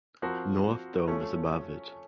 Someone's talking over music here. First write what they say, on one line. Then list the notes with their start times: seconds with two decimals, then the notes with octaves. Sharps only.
North Dome is above it.
0.22 F3 C4 F#4 A#4
1.08 F3 A3 C#4 A4